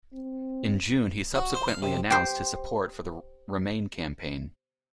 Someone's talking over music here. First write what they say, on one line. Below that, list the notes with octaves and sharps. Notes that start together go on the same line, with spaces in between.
In June, he subsequently announced his support for the Remain campaign.
C4
F#4
C5
F5
C3
G4 C5